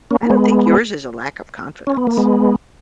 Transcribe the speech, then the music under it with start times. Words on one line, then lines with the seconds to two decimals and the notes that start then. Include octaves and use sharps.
I don't think yours is a lack of confidence.
0.11 A#3 C#4
0.23 A#3
0.30 G#3 B3
1.87 C#4
1.97 B3
2.07 A#3
2.18 G#3 B3